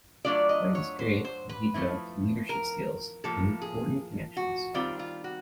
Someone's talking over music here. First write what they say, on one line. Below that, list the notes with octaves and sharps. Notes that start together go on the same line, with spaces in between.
During this period he developed leadership skills and important connections.
F#3 A3 D4 F4 D5
D#5
C#5
C5
C5
B4
F3 A3 C4 E4
A#4
A2 F3 A#3 A4
G#4
F#4
D#3 G3 C4 F4
F4
F#4